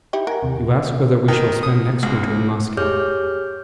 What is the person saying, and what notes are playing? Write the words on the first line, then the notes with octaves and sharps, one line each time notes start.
You ask whether we shall spend next winter in Moscow.
D#4 E4 G4
A#4 F#5 G#5 A#5
D#2 C3
D#3
D#6
C#2
G4 G#4 C#5 D6 F6 G6